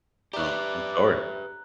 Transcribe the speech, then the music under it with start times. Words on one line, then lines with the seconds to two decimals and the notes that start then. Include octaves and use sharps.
No, I'm sorry.
0.33 G4 B4 D5 E5 A#5 F#6